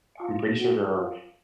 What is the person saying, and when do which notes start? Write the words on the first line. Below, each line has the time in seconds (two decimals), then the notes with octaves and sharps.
I'm pretty sure there are
0.21 F4
0.59 F#4
0.97 F4